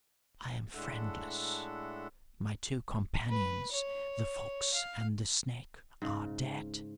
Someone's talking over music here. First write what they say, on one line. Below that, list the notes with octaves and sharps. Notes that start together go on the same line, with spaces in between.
I am friendless: my two companions, the fox and the snake, are dead.
A2 G#3 D4 A4 E5 F#5
B4
C#5
F5
G#2 C#3